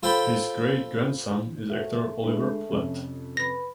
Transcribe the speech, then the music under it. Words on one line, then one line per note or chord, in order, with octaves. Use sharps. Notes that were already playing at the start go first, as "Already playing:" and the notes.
His great-grandson is actor Oliver Platt.
F4 A4 C5 G5 B5
A3 F#4 C5 E5
D3 G#3 B4
F2 C3 C#4
B4 A#6